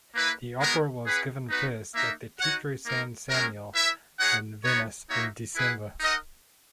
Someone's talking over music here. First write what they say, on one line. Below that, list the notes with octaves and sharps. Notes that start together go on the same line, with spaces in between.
The opera was given first at the Teatro San Samuele in Venice in December.
A#3 E4 B4
G#3 B3 F#4 A#4
C#4 G#4 B4 F#5
B3 D#4 F#4 B4
A#3 D#4 A#4 E5
D#4 F#4 C#5 F#5
A#3 D#4 A#4
G#3 C#4 F#4 A#4
E4 B4 E5
D#4 G#4 C#5 F#5
B3 D#4 F#4 C#5
A#3 D#4 F#4 C#5 E5
E4 G#4 B4 F#5
D#4 A#4 D#5 F#5